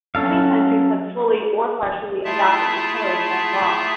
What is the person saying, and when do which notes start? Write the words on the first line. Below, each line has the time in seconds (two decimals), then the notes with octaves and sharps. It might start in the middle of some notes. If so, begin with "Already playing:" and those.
Many countries have fully or partially adopted the Code as law.
0.15 F#3 C#4 A4 F5
2.25 A3 E4 F4 G#4 E5 A5